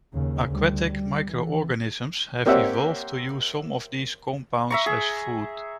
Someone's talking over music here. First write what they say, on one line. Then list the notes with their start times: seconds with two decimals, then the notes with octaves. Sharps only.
Aquatic microorganisms have evolved to use some of these compounds as food.
0.13 D#2 C#3
0.49 D2 G3
0.89 G3
1.31 E3
2.46 A#3 C4 G4 C#5 E5 F#5
4.70 E5 A#5 C#6
4.86 G#4